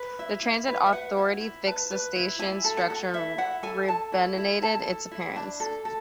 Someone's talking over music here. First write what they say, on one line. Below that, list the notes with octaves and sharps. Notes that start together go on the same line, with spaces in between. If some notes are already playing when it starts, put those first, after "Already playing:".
The Transit Authority fixed the station's structure and renovated its appearance.
Already playing: B4
E4 E5
E4
B4
E5
B4 F#5
E4
E4
B4 A5
B4
E4
E4 G#5
A4
F#5
A4
E4 E5
E4 F#5
A4 G#5
A4 A5
E4
E4
A4 A5
A4
E4
D4 A5
A4
A4